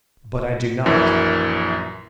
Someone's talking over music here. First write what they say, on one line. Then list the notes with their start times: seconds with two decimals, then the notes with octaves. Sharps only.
"But I do not."
0.86 A#1 F#2 E3